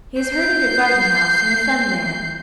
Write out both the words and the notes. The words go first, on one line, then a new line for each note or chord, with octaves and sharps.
He has heard of your garden-house and the fun there.'
G6 C7